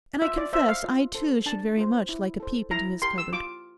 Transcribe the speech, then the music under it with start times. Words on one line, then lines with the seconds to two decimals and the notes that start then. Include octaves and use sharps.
And I confess I too should very much like a peep into his cupboard.
0.22 F4 E5
0.38 D5
0.53 C5 E5
0.69 F5
0.84 F4
1.15 A4 C5
1.46 D4 A5
1.78 F4 C5
2.09 E4
2.40 A4 C5
2.71 E4 A#5
3.02 G4 A#4 C6
3.18 E6
3.33 F4 D6